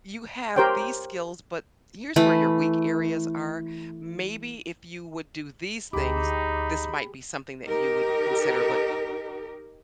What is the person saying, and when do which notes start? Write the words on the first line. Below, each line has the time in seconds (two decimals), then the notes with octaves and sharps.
you have these skills, but here's where your weak areas are, maybe if you would do these things, this might be something that you would consider. But
0.56 G4 A#4 C5 C#5 G5
2.16 E3 A3 B5
5.93 D2 D#4 G4 G#4 B5 D6
7.67 D#4 G4 A#4